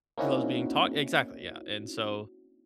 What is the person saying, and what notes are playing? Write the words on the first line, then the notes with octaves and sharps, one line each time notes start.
he loves being talk exactly, yeah, and so
A#3 C4 C#4 D#4 E4 F#4